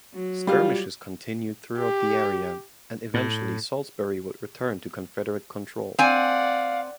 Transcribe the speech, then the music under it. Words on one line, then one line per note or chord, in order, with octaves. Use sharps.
Skirmishes continued throughout the area, and eventually Saulsbury would return to Confederate control.
F#3
G3 F4 F5
G4
A2
C4 D5 F5 F#5 G#5